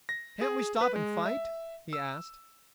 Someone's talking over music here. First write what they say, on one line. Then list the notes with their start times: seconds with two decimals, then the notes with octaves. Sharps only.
"Can't we stop and fight?" he asked.
0.09 A#6
0.41 G#4
0.81 B4
0.96 G#3
1.25 E5
1.93 E6